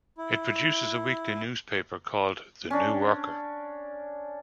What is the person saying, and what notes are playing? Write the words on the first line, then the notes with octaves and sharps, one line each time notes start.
It produces a weekly newspaper called "The New Worker".
E4
C#4 D4